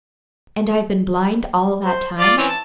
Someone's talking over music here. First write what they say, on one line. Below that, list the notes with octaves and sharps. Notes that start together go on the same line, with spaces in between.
"And I've been blind all that time?"
C5
F4 D5
E3 C4 C#4
A5